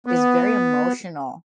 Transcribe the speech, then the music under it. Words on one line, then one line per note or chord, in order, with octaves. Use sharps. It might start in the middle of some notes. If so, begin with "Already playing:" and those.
is very emotional
B3